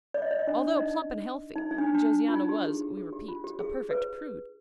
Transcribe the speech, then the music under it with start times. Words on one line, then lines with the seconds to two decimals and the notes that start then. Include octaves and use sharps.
Although plump and healthy, Josiana was, we repeat, a perfect prude.
0.14 D5
0.22 D#5
0.31 D5
0.39 D#5
0.47 D4 D5
0.76 D#4 D#5
1.55 D#4
1.71 D#4
1.78 D4
1.95 D4
2.28 F4
2.34 D#4
2.49 G4
2.65 G#4
2.81 G4
2.97 G#4
3.13 G4
3.28 F4
3.44 G4
3.59 G#4
3.91 B4